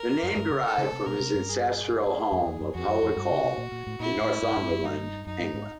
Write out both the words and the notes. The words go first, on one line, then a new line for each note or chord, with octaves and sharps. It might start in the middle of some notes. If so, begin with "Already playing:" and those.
The name derived from his ancestral home of Howick Hall in Northumberland, England.
Already playing: A#4
F#2
G2
C#3
A4
C#3
C3
B2 A#4
C3
G2
G#4
F2
E2
F#2
F2 F#4
F#2
F2
G2
C#3
C3
A#2
A#2
A2
A#2 E4
G#2
A2
G#2
G2
F#2
G2 D#4
F#2 D#4
G2
G#2